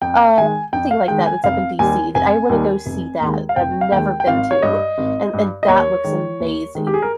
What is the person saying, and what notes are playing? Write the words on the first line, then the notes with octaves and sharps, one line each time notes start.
Uh, something like that that's up in DC that I wanna go see that, that I've never been to, and and that looks amazing.
F2 G5
D#3 G#3 G#5
F2 G5
F5
D#3 G#3 G5
G#5
F1 F5
D#2 D#3 G3 G#5
F1 G#5
D#2 D#3 G3
F1
D#2 D#3 G#3
F5
F1 G5
F5
D#2 D#3 G#3 G5
G5
G#1 F5
C#5
G2 G3 D#5
G#1
G2 G3
D#5
D#2 C#5
D#3 G#3
D#2
D#3 G#3
G4
G#4
A#4